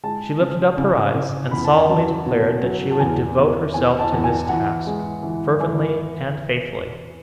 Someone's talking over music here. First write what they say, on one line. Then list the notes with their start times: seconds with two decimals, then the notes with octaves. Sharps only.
She lifted up her eyes, and solemnly declared that she would devote herself to this task, fervently and faithfully.
0.04 G#3 A5
0.40 C#3
0.77 C#3
1.14 C#3
1.51 E2 B5
1.65 A5
1.76 G#5
1.89 F#3 A5
2.26 B2
2.63 F#3
2.91 A5
3.00 E2 G#5
3.37 E2
3.74 E2 G#5
3.99 A5
4.12 E2
4.24 G#5
4.49 E3 F#5
4.87 G#3
5.23 E3
5.60 E3